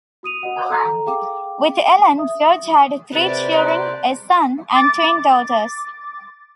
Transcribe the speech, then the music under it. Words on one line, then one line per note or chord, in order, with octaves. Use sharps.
With Ellen, George had three children, a son and twin daughters.
F#4 D#6 D#7 F7
F#4 D#5 F#5
A4 A#5
G#4 F5 G5 D6
E5 D#6
C3 A4 B4 F#5 A6 D7
A3 D5
C5 E5
A#5 C6 F#6
A#4 B4 A5
G6
D6 A6